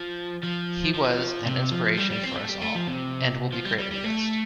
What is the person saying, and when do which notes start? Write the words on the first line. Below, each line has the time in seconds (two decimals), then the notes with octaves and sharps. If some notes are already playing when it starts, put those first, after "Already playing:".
He was an inspiration for us all...and will be greatly missed.
Already playing: F3
0.43 F3
0.94 F3
1.46 C3
1.71 F3
1.97 G3
2.10 G3
2.23 C4
2.36 A3
2.48 G3
2.61 A3
2.75 F3
2.87 C3
3.53 F3
3.65 G3
3.78 G3
3.91 G3
4.04 A3